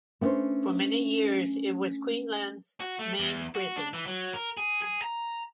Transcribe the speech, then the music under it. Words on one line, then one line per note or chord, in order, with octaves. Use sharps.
For many years it was Queensland's main prison.
A3 B3 C#4 D4 B4 C5
F#4
A3
E2
F#4
D4
E3
F#3
A#4
G#4
G#4
A#5